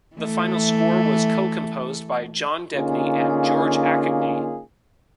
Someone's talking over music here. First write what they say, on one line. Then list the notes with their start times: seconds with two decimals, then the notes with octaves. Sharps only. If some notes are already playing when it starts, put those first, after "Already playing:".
The final score was co-composed by John Debney and George Acogny.
0.17 E3 A3
2.74 D3 A#3 C#4 D#4 F4 G#4